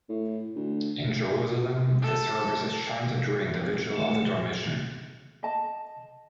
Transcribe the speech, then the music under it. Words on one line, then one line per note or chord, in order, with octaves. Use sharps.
In Jerusalem, the service is chanted during the Vigil of the Dormition.
A2
D2
A4
A3
A#2
D#5 A5